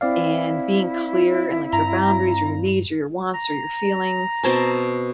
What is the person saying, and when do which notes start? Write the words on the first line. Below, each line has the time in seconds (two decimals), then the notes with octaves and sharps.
and being clear in, like, your boundaries, or your needs, or your wants or your feelings,
0.01 C4 E4 D5 F5
1.73 G2 A#5
3.34 A#5
4.43 B2 C4 A5